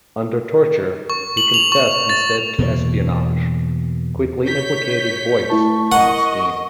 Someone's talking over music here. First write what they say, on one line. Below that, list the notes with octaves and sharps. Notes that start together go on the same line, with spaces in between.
Under torture he confessed instead to espionage, quickly implicating Boyce in the scheme.
C#6
F#7
F7
C#6
A6
E2 B2 E3 A#3
C#5 G6 B6
A3 E4 A5 C#6
A#4 D#5 F#5